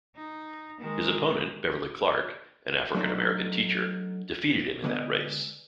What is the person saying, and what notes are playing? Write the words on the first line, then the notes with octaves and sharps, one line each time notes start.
His opponent Beverly Clark, an African-American teacher, defeated him in that race.
D#4
D#3 G#3
F#3 A3 D4 D#4 C5
D3 G#3 B3 D#5